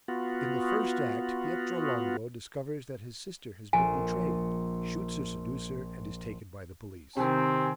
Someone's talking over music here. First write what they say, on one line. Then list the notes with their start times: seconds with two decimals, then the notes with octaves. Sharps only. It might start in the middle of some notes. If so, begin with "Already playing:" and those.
In the first act Pietro Longo discovers that his sister has been betrayed, shoots her seducer and is taken by the police.
0.08 B3 F4 F#4
3.73 A#1 G#5
7.17 C3 D#3 C4 G5 G#5